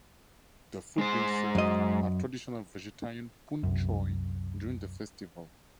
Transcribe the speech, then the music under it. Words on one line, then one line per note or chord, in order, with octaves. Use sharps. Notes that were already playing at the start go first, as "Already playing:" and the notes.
The food being served are traditional vegetarian poon choi during the festival.
G#3 C5
F#2 D#5
C2 F#2